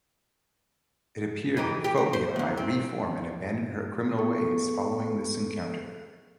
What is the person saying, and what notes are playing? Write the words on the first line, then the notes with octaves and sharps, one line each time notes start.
It appeared Phobia might reform and abandon her criminal ways following this encounter.
E3 D#4 G4
G4
F#4
C5
E2 G#2
C4
B3 G#4 A4 C#6